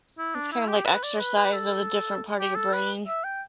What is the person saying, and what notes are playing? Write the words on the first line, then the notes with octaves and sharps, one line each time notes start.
Seems kind of like exercise of a different part of your brain.
E4
D4
E4
G4
B4
D5
B4
B4
A4
G4
A4
B4
E5
G5